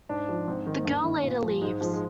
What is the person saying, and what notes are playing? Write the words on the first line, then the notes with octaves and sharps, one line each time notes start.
The girl later leaves.
G#2 D4
F3
G#2 C4
D#3
G2 A#3
D#3
A#2
F3
G#2 G#3
F3 G#3
G#3